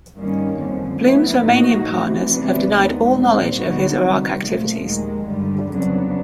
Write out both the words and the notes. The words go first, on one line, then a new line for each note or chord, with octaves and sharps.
Bloom's Romanian partners have denied all knowledge of his Iraq activities.
G2 D#3 G3 A#3 C#4
F2 D3 F3
A2 F#3 B3 E4
A2 F3 A#3 D#4 F#4
C3 E3 A3
C3 E3 G3 B3 D4
D#2 D#3 G#3 B3
A#2 G3 C4
D3 G3 B3 D#4 F#4
C3 D#3 G3
A#2 F3 A3
D#2 D#3 G#3
G2 D3 G3
F2 C#3 F#3 B3 D4